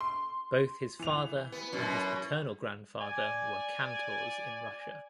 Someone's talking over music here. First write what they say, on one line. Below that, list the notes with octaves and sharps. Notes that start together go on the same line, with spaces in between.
Both his father and his paternal grandfather were cantors in Russia.
C6
E3 F7
B3
F#2 B2
D5 G#5